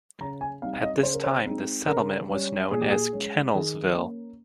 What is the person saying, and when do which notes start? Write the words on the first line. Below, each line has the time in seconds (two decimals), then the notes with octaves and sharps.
At this time, the settlement was known as Kennelsville.
0.21 C#3 A#5
0.41 G#5
0.62 G3 C4 D#4 F5
0.73 F5
0.83 D#5
1.03 C#3 C5
1.14 A#4
1.24 C5
1.45 G#3 C4 D#4
1.87 C#3 A#4
2.29 G3 C#4
2.71 A#2 G#4
2.81 G4
2.90 G#4
3.13 G#3 C#4
3.55 D#3 G#4
3.96 A#3 C#4